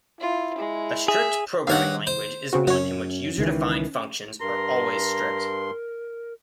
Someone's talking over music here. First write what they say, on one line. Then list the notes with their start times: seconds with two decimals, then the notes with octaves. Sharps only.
A strict programming language is one in which user-defined functions are always strict.
0.21 E4 F4
0.58 G#3
1.08 G#4 E5
1.67 G2 D#3 C#5 F5 F#5
2.07 C5
2.53 C#3 C4 F#4
2.67 F#2 C#4 F#4 C#5
3.38 C#2 D#3 E3
4.41 G2 A#4 A#5 C6